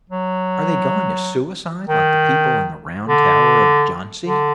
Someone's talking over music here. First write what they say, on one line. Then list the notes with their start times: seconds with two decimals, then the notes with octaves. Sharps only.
Are they going to suicide, like the people in the round tower of Jhansi?'
0.10 F#3
1.88 D#3
3.07 D3
4.26 D3